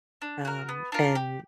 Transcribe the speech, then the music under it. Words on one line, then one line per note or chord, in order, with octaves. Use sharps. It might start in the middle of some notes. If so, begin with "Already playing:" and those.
um, and
D4
F#4 A#4
B3
D4 F4 A#4
G4